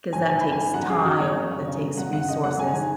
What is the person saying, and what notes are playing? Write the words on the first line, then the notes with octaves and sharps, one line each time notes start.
'cause that takes time, that takes resources
G#2 G#5
D#3 G#5
D#3 B5
G#5
G#2
F#2 F#5
C#3 G#4
C#3 F#4
F#2 C#5
F#2
C#3
C#3
F#2
F#2 F#5
C#3 F#5
C#3 D#5
F#2 F#5
F#2 G#5
D#3 G#5